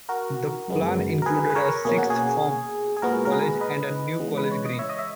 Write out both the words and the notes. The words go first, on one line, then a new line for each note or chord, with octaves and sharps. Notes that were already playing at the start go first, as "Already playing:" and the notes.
The plan included a sixth form college and a new college green.
F#4 A#4
F#2 C#3 G#3 B3
A#4
G#4 B4
B4
A#4 C#5
B2 A#3 C#4 G#4
F#4
G#4
G#4
A#2 G#3 B3 F#4 A#4
A#4
G#4 B4
B4 D#5
C#3 E3 G#3 B3
B4
C#5
D#5
C#5 E5
D#5
E5